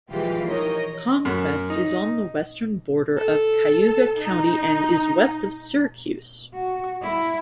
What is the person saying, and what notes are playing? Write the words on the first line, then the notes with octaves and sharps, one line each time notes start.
Conquest is on the western border of Cayuga County and is west of Syracuse.
E3 F3 G3 G#3 F4 G4
D#4 A#4 C#5 D#5
F#2
D#4
A4
D#4
F#4
E4